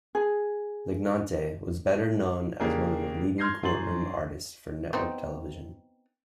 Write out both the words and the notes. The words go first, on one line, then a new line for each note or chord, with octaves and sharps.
Lignante was better known as one of the leading courtroom artists for network television.
G#4
C#3 A#3 D4 G4 G#4 A#4
C6 F6 G6 G#6 A#6 C7
F#2 C6 A6 F#7
B3 C4 D#4